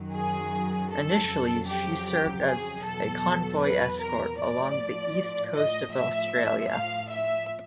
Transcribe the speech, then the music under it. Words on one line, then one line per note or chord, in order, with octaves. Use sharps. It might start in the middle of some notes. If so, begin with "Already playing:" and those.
Initially, she served as a convoy escort along the east coast of Australia.
Already playing: F#2 D#3 F#3
G#4
A4
F2 C#3 F#3
G4
G#4
E2 B2 F#3 A4
B4
A#4
A2 F3 D5
D#5
A2 F3 E5
F5
E5